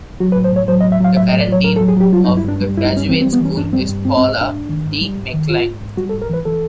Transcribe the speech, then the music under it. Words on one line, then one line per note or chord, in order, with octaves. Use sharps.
The current dean of The Graduate School is Paula D. McClain.
F#3 F#4
B4
A2
C5
A2 C#5
F#3 C5
D#5
A2
E5
F#3 F5
A2 E5
D#5
A2
D5
F#3 C#5
A2 A#4
A4
F#3
G#4
F#3 G4
G3 F4
D#4
G2
E4
G2 D4
G3
G2 E4
D#4
G3 C#4
E3 C4
C4
G3
B3
E3 C#4
G2 D4
G3 C4
G2
G#2 C4
C4
G#2
G#2 D4
G#2
D#3
G#2
G3
G#2
D#3
G#2 F4
G#2
G#2
G3 F#4
A4
G#2
A#4
E3 B4
E3 A4